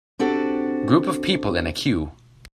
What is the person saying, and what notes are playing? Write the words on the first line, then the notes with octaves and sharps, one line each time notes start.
Group of people in a queue.
C4 D4 F#4 G4 A4